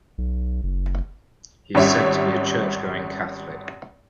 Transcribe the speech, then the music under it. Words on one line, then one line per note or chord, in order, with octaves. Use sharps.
He is said to be a Church-going Catholic.
B1
F#1
G#1 G3 C#4 C#5 E5